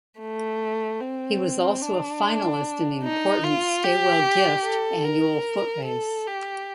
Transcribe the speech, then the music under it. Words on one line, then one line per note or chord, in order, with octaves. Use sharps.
He was also a finalist in the important Stawell Gift annual foot race.
A3
C4
D4
D#4
F4
G4
A4
A#4
A4
G4